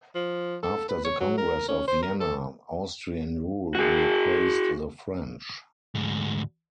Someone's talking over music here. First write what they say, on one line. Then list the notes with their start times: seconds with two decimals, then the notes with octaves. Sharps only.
After the Congress of Vienna, Austrian rule replaced the French.
0.15 F3
0.63 A4
0.89 B4
1.05 C#5
1.20 F#3
1.38 A#4
1.68 C#4
1.88 C5
2.03 A#4
2.20 A4
3.75 F#4 G#4
5.95 D2 G#2